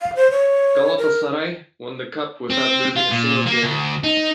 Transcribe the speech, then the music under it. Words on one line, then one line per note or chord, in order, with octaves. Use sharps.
Galatasaray won the cup without losing a single game.
F5
C5
C#5
A#4
C4
F4
A#2
A#3
D2
D#4